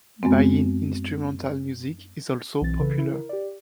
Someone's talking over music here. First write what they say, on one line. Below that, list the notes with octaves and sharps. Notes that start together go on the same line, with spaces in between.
Bayin instrumental music is also popular.
F#2 G#3 B3 C4
B1 E3 C4 A6
C#3 E3 A4 B4
E4
A#4
G4 D5